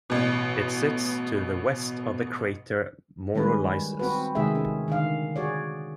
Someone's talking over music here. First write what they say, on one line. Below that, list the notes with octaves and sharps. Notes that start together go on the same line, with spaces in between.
It sits to the west of the crater Maurolycus.
A1 B2
D#3 G3 G#3 C#4 B4
C4 F#4 B4
C3 D#3 G#3 A3 G#4 E5
C#4
D3 D#3 F5
F#4 G#4 C#5 D5